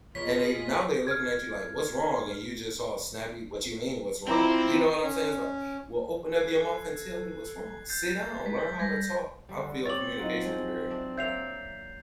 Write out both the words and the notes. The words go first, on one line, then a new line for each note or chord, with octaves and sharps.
and they now they're looking at you like, "What's wrong?" and you just all snappy, "What do you mean, 'What's wrong?'" you know what I'm saying? It's like, "Well, open up your mouth and tell me what's wrong, sit down, learn how to talk." I feel communication is very important.
F2 A#3 F4 G#4 B4 C#5 D#5 B6
F6 G#6
C4 E4 F4 G5 A#5 D6
C#4
A4 F#6 G#6 C7
G6 A6 C7
G#3 B6
G3 G#6 A#6
D3 G3
C4 C#5 D6 A6 F#7
F#3 D#4 F4
F3 G#3 G5
D4 D5 E5
F#3 A#3 E5 G6 C7 F7